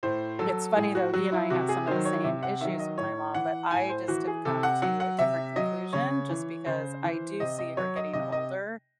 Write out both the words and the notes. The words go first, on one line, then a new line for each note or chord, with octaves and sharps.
It's funny though, he and I have some of the same issues with my mom, but I just have come to a different conclusion just because I do see her getting older,
A2 C5
F#3 A4
A2 G#4
F#4
F#3 F#4
E4
C3 F#4
G#4
D#3 F#3 C5
C#5
C3 E5
F#5
D#3 F#3 E5
D#5
A2 C#5
E3 F#5
A2 G#5
C5
E3 F#4
G#4
C3 A4
F#5
F#3 F#5
F#5
C3 E5
F#3 D#5
C#3 C#5
E3
C#3 C5
E3
C3 D#5
D#5
F#3 C#5
D#5
C3 D#5
D#5